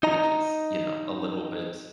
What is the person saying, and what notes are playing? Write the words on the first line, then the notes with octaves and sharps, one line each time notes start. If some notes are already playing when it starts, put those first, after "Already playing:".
which is, you know, a little bit,
D#4 D#5 A#5